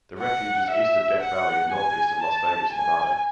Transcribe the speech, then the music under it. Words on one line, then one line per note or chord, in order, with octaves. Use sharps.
The refuge is east of Death Valley and northeast of Las Vegas, Nevada.
F#5
E5
F#5
G#5
A5
G#5